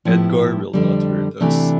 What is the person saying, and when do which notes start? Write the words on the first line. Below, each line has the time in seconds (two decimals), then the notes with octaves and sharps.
Edgar will not hurt us.
0.05 A2 F3 B3 E4 G4
0.73 F2 D3 G3
1.40 C3 E3 A3 D4